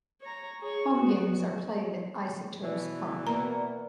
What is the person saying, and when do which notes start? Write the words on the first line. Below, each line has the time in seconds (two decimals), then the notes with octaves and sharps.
Home games are played at Isotopes Park.
0.21 C#5 A#5
0.61 G#4 C#5
0.94 B3 F#4
2.62 B2 E3 D5
3.27 A#3 B3 A#5